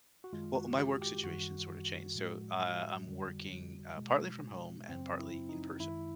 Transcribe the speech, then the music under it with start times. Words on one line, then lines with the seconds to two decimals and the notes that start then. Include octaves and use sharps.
well, my work situation sort of changed, so, uh, I'm working, uh, partly from home and partly in-person,
0.24 F#4
0.33 F#2 D#3 G#3 F4
0.55 F#4
0.78 G4
1.01 G4
1.24 F#2 D#3 G3 F#4
2.15 A2 F3 G#3
3.06 F2 D3 G3
3.97 B2 G#3
4.89 F#2 C#3 F#3 C4
5.19 E4
5.49 D#4
5.80 F#2 D#3 G#3 E4